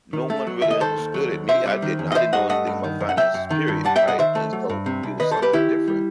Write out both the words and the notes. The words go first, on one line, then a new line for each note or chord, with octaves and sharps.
no one really understood it. Me, I didn't, I didn't know anything about finances, period, right? And so it was something different,
D#3
A3
F#3
D#2 E5
D#5
D#3 A4 C5
D#2
F#3
D#2
C3 C5 E5
G3
D#3
E2
D#5
E3 C5 E5
G2 D#5 F#5
A3 D#5 F#5
G2
D#3
F#2
F#5
F#3 E5 G5
F#2
D#3
G2
G3 F#5 A5
E5 G5
G2
D#5 F#5
D#3 C5 E5
A3
F#3
G2
C3
C2
D#3 B4 D#5
A4 C5
C2
G4 B4
D#3 E4 G4
D#2
G3